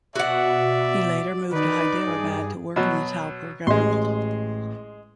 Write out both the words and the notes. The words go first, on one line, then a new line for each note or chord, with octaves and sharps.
He later moved to Hyderabad to work in the Talpur government.
B2 F#4 D5 E5 F#5
D#3 D#4 B4 D5
G2 G#4
B2 F#3
A1 G#3 C6